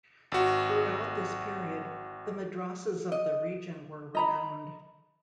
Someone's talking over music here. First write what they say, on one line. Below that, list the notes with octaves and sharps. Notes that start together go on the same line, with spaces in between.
Throughout this period, the madrasahs of the region were renowned.
G#1 F#4
D#5
D#5 A#5 B5